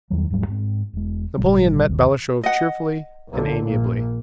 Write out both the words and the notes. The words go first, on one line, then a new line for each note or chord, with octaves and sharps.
Napoleon met Balashev cheerfully and amiably.
E2 D#3 F#3 G3
D#1 G#2 F#3 G3
G#2 G#3 C4
E1 G#3
G#1 A#2 C#3 G3
G1 D#2 C3 D#3
D#5 F#5
B1 D3
A#1 A#2